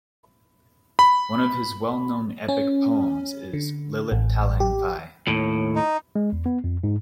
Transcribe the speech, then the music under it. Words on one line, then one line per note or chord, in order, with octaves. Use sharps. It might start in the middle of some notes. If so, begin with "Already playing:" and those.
One of his well-known epic poems is "Lilit Taleng Phai".
B5
C#4
D3
A1
G4
D#2 A2
D#4
G#3
E2
B3
F2
G#2